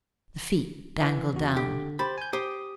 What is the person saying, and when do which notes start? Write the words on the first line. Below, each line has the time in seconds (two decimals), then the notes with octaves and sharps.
The feet dangled down.
1.01 E3
1.35 E2 F#4
1.57 D3 G4
1.99 G4 C5 B5 A6
2.18 G#5 G6
2.33 G4 C5 D#6